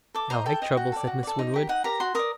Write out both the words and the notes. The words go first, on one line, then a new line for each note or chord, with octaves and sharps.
"I like trouble," said Miss Winwood.
A4 D6
C5 D#5 A#5
A4 G5
C5 D#5
F#4
A4 D5
F#4
A4 D5
D#4
G4 A#4
D#4 F#5
G4 A#4 A#5
F#4 C6
A#4 D5 D#6